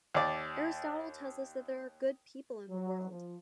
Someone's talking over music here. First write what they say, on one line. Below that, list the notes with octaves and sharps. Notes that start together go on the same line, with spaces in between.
Aristotle tells us that there are good people in the world.
D#2 D5
F#3
F3